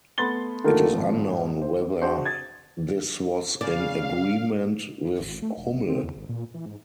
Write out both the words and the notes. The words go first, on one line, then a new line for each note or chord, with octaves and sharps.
It is unknown whether this was in agreement with Hummel.
A3 B3 B5 C6 A6 G7
D3 D#3 A3 A#3 F4 A#4
G#1 F3
C5
D4 F#4 G#4 C5
G#6 A6
C#3 D5 F5
G#1
A3
E1
F#1
C4
E2
G#1
A#2
E3
G#2